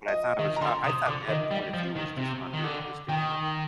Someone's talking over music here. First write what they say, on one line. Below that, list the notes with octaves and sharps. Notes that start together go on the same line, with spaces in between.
But I thought it was I I thought that point of view was just unrealistic for a point.
D#5
D#3 D#5
A#5
D3 C6
C3 D#6
D3 D6
D#3 D#5
G3
F3
D#3
C3
D#3
D3
D#3 G5